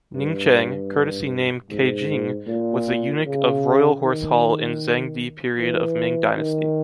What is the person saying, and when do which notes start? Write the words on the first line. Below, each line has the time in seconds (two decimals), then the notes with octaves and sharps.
Ningcheng, courtesy name Kejing, was the eunuch of Royal Horse Hall in Zhengde period of Ming Dynasty.
0.14 G2
1.70 G#2
2.47 A#2
3.25 C#3
4.03 D#3
5.58 E3
6.36 D#3